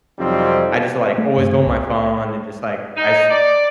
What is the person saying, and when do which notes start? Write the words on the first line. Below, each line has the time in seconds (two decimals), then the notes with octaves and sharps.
I just, like, always go on my phone and just, like, I sc
0.18 F2 C3 F#3 G3 C4 D#4
1.18 A3
1.38 G2
1.51 C#3
1.66 C2
2.97 D#4
3.30 D5